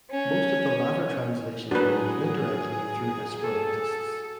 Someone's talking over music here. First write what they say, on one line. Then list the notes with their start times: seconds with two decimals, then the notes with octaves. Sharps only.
Most of the latter translations were made indirectly, through Esperantists.
0.11 C#4
1.71 F#3 D4 G#4 B4
3.42 A4